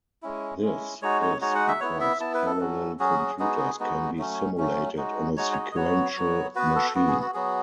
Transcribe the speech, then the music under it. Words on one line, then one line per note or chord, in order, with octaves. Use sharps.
This is because parallel computers can be simulated on a sequential machine.
G#3 C#4 E4
G#3 C#4 E4
G#3 D#4 F#4 C#5
C#5
G#3 D#4 F#4 C#5
F#5
E5
B3 E4 C#5
E5
B3 E4 A5
B4
A4
F#3 C#4 F#4
F#3 C#4 F#4 G#4
G#4
G#3 B3 D#4 F#4 G#4
G#4
G#3 B3 D#4 F#4
F#3 A3 C#4
F#3 A3 C#4
G#3 D#4 F#4
G#3 D#4 F#4 C#5
C#5
D#5
D#5
F#3 B3 F#4 C#5
F#3 B3 F#4
B3 F#4 B4
A4
B3 F#4
G#4
F#4
F#3 B3 F#4 G#4